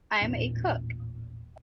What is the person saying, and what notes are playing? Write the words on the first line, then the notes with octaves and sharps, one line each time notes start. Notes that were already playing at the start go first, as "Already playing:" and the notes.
I’m a cook.
A1 E2 A#2 C#4